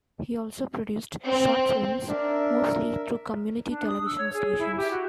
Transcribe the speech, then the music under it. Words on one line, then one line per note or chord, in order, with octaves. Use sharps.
He also produced short films, mostly through community television stations.
C4
D4 A#4 E5
D4
D#6
E6
C#5
G#4
E4
G4
F#4